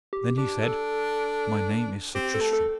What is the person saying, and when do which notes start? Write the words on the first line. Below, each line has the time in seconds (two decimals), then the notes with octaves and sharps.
Then he said: My name is Sir Tristram.
0.13 G4
0.38 D4 G4
0.63 A4
2.15 C4 G4
2.34 A4
2.40 A3
2.53 A4